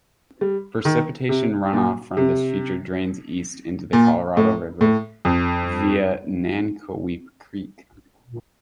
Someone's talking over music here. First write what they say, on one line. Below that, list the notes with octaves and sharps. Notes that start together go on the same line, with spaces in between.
Precipitation runoff from this feature drains east into the Colorado River via Nankoweap Creek.
G3
D#3
C3
A#2
C3
A#2
A2
A2
F2